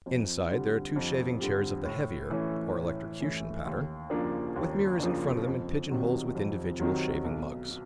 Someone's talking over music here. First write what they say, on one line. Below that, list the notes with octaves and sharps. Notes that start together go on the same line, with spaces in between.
Inside, there are two shaving chairs of the heavier, or electrocution pattern, with mirrors in front of them and pigeon holes with individual shaving mugs.
F2
D3 G3
F2
D3 G3
A2
E3 A3 C#4 E4
A2
E3 A3 C#4 E4
D#2
C#3 F3 A#3 D4
D#2
C#3 F3 A#3 D4
F2
C3 D#3 F#3
F2
C3 D#3 F#3
B1
B2